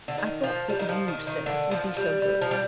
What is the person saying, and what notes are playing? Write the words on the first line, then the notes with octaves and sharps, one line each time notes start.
"I thought that you, sir, would be so good!"
D3
D#3
F3
G3
D#3
F3
D#3
D#3
D3
F3
G3
G3
F3
G3